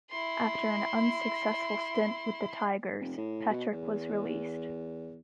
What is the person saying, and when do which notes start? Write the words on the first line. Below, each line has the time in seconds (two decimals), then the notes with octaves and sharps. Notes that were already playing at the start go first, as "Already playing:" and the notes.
After an unsuccessful stint with the Tigers, Petrick was released.
0.11 E4 C6
3.00 F1
3.18 A2
3.50 B2
3.72 E2